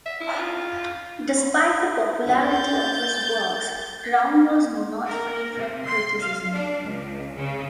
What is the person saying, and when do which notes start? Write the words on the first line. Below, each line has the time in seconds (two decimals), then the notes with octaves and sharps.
Despite the popularity of his works, Graun was not free from criticism.
0.06 E5
0.20 E4
0.39 F4
2.43 G6 A6
5.07 A#4
5.55 C3
5.84 C6
6.20 F5
6.52 D4
6.85 C#2
7.35 C#3